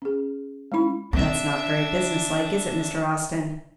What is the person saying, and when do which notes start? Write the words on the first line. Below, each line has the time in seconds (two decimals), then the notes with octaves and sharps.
That's not very business-like, is it, Mr. Austin?
0.02 C#4 G#4
0.72 G#3 C#4 D#4 E4 B5
1.13 C#3 C4 D4 E5